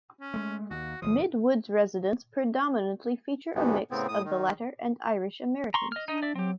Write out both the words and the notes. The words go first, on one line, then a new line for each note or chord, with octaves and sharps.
Midwood's residents predominately feature a mix of the latter and Irish Americans.
C#4
G#3 A3
D#2 F#4
G1 F3 D#6
D2 G2 C3 E3 B3
A2 C#3 B3 C4
A2 D#6
D#3
A#5 C6 C#6
D#5 F6
D4 D#4 D#5
D5 E5
F#3 C4 G4